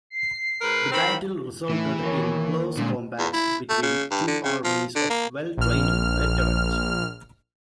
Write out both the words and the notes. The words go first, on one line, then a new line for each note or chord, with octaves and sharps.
The battle resulted in close combat between two armies of well-trained veterans.
C7
G#2 A#4 B4
D#3 C4 B5
A2 E3
D#2 A#4 C#5
A#2 D3 G#3
E2
E4
A3
C#3
G2
D3
C#3
F3
D3
A#3
A#1 F6